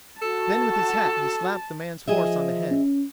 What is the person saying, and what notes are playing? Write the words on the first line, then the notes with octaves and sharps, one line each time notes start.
Then with his hat he slapped the man's horse on the head.
F#4 A4 A5
F3 G#4 D#5 E5
C#4